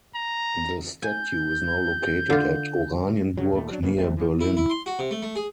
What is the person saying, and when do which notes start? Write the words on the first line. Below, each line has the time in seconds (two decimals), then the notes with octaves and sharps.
The statue is now located at Oranienburg near Berlin.
0.15 A#5
1.02 G#5 G6
2.30 D3 F4
3.37 G2 C#3 F#3
3.52 D#2 A#2 A3
3.71 F#3 D4
3.82 F#2 C#3 A#3 B3
3.96 G#1 D#2 A3 C4
4.17 E3 F3
4.41 E4
4.57 E4
4.70 C6
4.86 F#4
4.99 C3
5.11 A3
5.22 A3
5.36 G#4